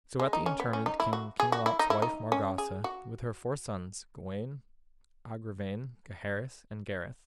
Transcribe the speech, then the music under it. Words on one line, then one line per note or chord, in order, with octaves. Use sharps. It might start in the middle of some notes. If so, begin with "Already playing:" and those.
SO at the interment came King Lot's wife Margawse with her four sons, Gawaine, Agravaine, Gaheris, and Gareth.
G#3
D#4
C#4
B3
C#4
D#4
E4
F#4
G#4
F#4
E4
D#4
E4
D#4
C#4
G#4
F#4